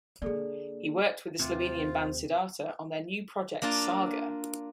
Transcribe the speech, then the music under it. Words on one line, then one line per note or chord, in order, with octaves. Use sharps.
He worked with the Slovenian band Siddharta on their new project Saga.
D3 A#3 G#4 A4 D5
D#2 C3 A3 C4 F4
C5
A#3 D4 F4 A5